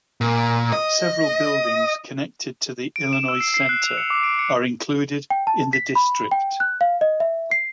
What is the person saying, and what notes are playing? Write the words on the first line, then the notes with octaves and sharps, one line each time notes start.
Several buildings connected to the Illinois Central are included in the district.
A#2
D#5
D7
E7
E6
C7
C7
F#6
F7
C#7
D6
D7
C#7
G5
A5
B6
B5
G5
F#6
F5
D#5
E5
C7